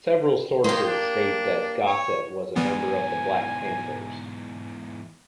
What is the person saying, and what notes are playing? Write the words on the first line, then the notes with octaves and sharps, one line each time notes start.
Several sources state that Gossett was a member of the Black Panthers.
D#3 A#3 G4 D#5 C6
D4
C#5
E2 G#2 E3 G3 B3 G#5